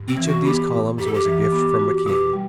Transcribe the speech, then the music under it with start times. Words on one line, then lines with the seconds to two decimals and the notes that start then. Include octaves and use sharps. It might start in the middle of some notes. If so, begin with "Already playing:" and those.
Each of these columns was a gift from a king.
Already playing: G2
0.08 C4
0.17 E3
0.26 F#4
0.45 B3 G4
0.71 G2
0.98 F#2 G4
1.06 A4
1.14 G4
1.25 E3
1.52 B3
1.79 F#4
2.06 B2 G4
2.33 G3